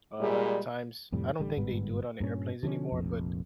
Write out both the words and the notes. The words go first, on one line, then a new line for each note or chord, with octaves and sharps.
uh, times I don't think they do it on the airplanes anymore, but
A#2 G3 G#3 G#4
F2 A2 C3 G3
A1 D3 G3
G1 G#2 G3 B3
G2 A#2 C#4
D3 F3 A#3 C#4
F1 A#1 F2